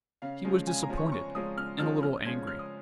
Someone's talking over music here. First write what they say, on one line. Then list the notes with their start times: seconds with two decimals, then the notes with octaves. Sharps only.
He was disappointed, and a little angry.
0.22 C#3 F5
0.45 F3 G#3 C#4
0.67 C#3 G#5
0.83 A#5
0.89 F3 G#3 C#4
0.97 C#6
1.12 C#3 C#6
1.35 F3 G#3 C#4 D#6
1.57 C#3 F6
1.79 F3 G#3 C#4 F6
2.03 C#3 F6
2.25 F3 G#3 C#4 G#6
2.47 C#3 F6
2.59 D#6